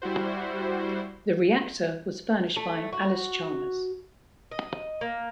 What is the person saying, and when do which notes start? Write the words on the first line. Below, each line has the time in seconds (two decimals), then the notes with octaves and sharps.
The reactor was furnished by Allis-Chalmers.
0.02 G3 E4 F#4 C5
2.57 A3
2.93 F#4
4.51 D#5
5.01 A#3